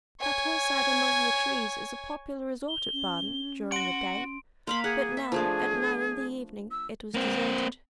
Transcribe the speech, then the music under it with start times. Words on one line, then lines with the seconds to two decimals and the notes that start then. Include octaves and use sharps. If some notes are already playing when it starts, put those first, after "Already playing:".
That hillside among the trees is a popular resort at Baden, during the day; but now, at nine in the evening, it was deserted.
0.20 C#5 G#5
2.69 G7
2.93 C#4
3.72 F#4 F#5 C6 D7 F#7
4.67 A#3 F5 B5 C6
4.84 G#4 F#5
5.17 E5
5.32 F3 A3 D4 G#4
6.71 E6
7.14 A#3 C4